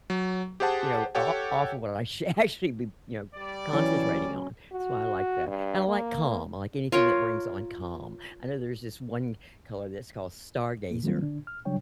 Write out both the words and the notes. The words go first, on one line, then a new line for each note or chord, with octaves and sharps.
you know, o off of what I sh should actually be, you know, concentrating on. So I like that, and I like calm- I like anything that brings on calm. I know there's this one color that's called Stargazer,
F#3
G4 G#4 C5 F#5 A5
G4 A4 C#5 F#5 G5
G3 D5
E3 F#3 C#4
F#4
G2
A#3
F4 A#4 C#5
A#2 A#3
D#3 F#3 G3 A#3 C4 F4
D3 D4
F6
C#3 F#3 G3 D4 C#5 G5